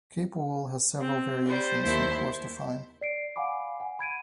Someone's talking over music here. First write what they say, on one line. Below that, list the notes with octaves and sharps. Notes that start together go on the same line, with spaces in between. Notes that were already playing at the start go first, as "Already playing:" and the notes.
Cape Wool has several variations from coarse to fine.
C4
G3 C5
D#2 E4 C6
D5 C7 D7
F5 F#5 G#5 B5 D6
F#5 G#5
B5 G#6 D7 D#7